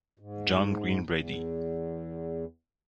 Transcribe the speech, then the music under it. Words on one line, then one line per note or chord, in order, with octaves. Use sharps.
John Green Brady.
G#2
E2